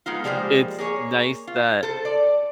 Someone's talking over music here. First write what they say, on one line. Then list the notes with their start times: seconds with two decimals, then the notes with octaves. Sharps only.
it's nice that
0.06 G#3 B3 D#4 F4
0.24 F3 G3 G#3 A#3 C5
0.79 A#3 G#4 C#5
1.47 F4
1.83 A4 C5
2.05 D5